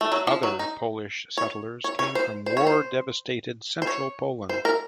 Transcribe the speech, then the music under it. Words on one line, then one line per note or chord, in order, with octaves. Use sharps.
Other Polish settlers came from war-devastated central Poland.
A3
F#3
F3
F#3
D#4
C#5
C#5
C#5
C5
C5
C#5
C5
C5
C#5
C5
A#4